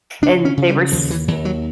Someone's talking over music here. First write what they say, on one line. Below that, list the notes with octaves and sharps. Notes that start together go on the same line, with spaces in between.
and they were s
C#3 D4
C#4
C#3
G3
D#2 F3
E3
D#2 E3
F#3